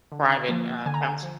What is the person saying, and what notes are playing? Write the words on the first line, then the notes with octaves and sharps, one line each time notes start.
private, uh, counselor.
D3
F3 A#3
D3 G#5
A#5
G#5
F3